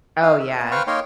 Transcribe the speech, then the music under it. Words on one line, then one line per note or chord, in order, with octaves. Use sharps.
Oh, yeah.
D#4 F5
E5
B3
B4 C5 F5 G5 C#6 F6
A#3 D#4 A#4 C#5 G5 C6